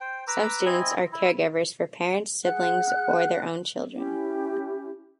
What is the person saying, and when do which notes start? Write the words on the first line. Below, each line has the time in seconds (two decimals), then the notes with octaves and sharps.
Some students are caregivers for parents, siblings, or their own children.
0.01 C5 G5
0.28 B4 A#5 D6 E6
0.66 C4 E4 D#5 G#5
1.13 E4
2.45 G#4 F#5 F#6
3.95 C#4 E4 G4